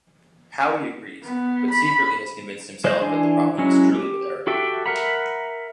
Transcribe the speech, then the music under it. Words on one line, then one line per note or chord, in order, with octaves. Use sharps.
Howie agrees, but secretly has convinced himself that the problem is truly with Eric.
B3
B5
G#3 C5 D5 D#5 G6
E3 D4 G#5 C6
F#3 G#3 C#4 E4
G4
F#4 G4 A4 E5 G5
A#4 E5 F#5 A#5 B5